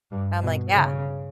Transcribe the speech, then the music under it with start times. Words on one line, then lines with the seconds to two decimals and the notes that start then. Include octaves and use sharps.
I'm like, "Yeah."
0.11 G2
0.42 B2
0.72 C#3